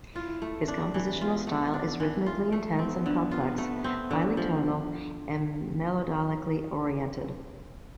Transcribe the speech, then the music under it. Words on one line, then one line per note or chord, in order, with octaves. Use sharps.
His compositional style is rhythmically intense and complex, highly tonal and melodically-oriented.
E4 F4
A3
C4 D4
E3
B3 F4
A3
D4
E3
F4
A3
B3 C4
D3
F4
A3
C4
D3
F3